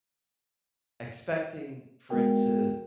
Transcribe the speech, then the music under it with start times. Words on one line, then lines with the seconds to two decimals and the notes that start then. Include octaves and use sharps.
expecting for it to
2.10 G#3 B3 F#4 A#4 G5